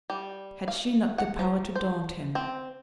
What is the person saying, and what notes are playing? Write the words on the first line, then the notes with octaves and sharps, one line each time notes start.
Had she not the power to daunt him?
G3
F5
F#5
F3
C5
C4